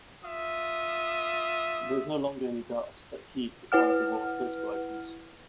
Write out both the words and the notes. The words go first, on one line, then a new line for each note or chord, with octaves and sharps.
There's no longer any doubt that Heath is one of the world's best writers.
F4 E5 D#6
E4 B4 F#5 F6